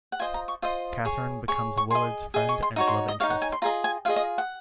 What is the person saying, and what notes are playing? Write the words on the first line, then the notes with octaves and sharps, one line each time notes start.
Cathryn becomes Willard's friend and love interest.
F#5
F4 C5 D#5 G#5
A#5
C#6
F4 C5 D#5 D#6
G#4 C#5
G#4 C#5 C#6
C#6
G#4 D#5 C6
G#4 D#5
C#6
C6
D#4 F#4 C#5
C6
D#5
D#4 F#4 C#5 F5
F#5
G#5
C6
F4 G#4 D#5 A#5
G#5
F4 G#4 D#5 F5
D#5
F#5